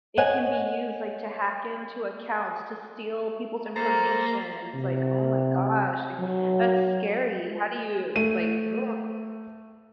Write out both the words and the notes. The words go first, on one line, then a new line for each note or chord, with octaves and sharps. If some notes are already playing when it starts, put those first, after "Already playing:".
it can be used, like, to hack into accounts, to steal people's information, it's like, "Oh my gosh," like, "that's scary, how do you," like "Uh."
C#5 D#5 F#5 G#5
A#3 A4 C5 A#5
C3
F#3
A3 D#7